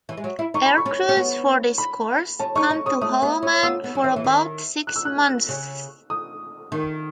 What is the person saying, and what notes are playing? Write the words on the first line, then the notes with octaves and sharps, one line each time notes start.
Aircrews for this course come to Holloman for about six months.
E3
G#3
F#3
E4
D#4 C#6
B5
C#6
C#4
C#4
B3
B5
C#4 A5
D#4 C#6
D#4
C#4 D#6
A3 D#6
B3
C#4
B3 E6
B3
F#3
E3
E3
D#3
F#6
E6
F#6
C#3
D#6
D#3